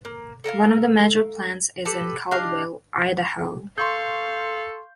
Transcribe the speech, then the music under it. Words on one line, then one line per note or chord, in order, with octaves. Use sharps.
One of the major plants is in Caldwell, Idaho.
A#3
A4 A#4 D#5 F5
G4 A4 B4 A5
D4 G4 D#5 F5
A4 F5 C6 C#6 G6